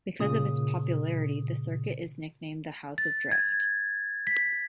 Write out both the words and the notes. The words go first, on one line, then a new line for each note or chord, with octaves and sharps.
Because of its popularity, the circuit is nicknamed the "House of Drift".
A#2 C#3 D#6
A6
G#6
B6